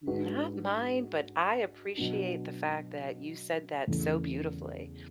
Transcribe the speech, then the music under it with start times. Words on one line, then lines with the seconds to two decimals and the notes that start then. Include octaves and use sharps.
Not mine, but I appreciate the fact that you said that so beautifully.
0.07 G#2 G#3 D4 F#4 B4
1.97 B2 F#3 B3 D4
3.88 E2 C#3 E3 A3